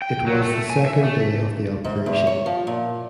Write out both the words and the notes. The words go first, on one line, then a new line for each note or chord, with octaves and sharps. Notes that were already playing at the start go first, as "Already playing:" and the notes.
It was the second day of the operation.
G5
F#3
A3
G#5
E5
A3
G#2
E2
C#5
F3
A#2